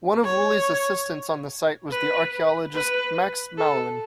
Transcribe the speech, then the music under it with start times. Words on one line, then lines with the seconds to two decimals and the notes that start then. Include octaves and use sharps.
One of Woolley's assistants on the site was the archaeologist Max Mallowan.
0.25 C#5
1.91 B4
2.75 B4
3.58 A4